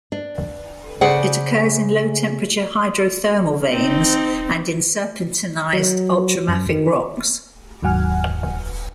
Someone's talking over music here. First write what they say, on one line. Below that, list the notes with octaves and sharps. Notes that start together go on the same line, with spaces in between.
It occurs in low-temperature hydrothermal veins and in serpentinized ultramafic rocks.
D4
C#3 G#4 C5 D5 F#5
C4 D#4
F#3
F#2
D#3
D#2 G#2 F#3 F#5 G#5 F6